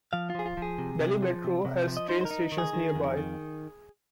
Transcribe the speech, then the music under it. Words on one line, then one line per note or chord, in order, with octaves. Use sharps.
Delhi Metro has train stations nearby.
F3 F5
F4
F3 G#4
F4
F3 G#4
C3
C3
F3
C3
C3
F3
D#5
D#4 C5
C5
A#4
D#4
D#3
G#4
D#3
F2
D#3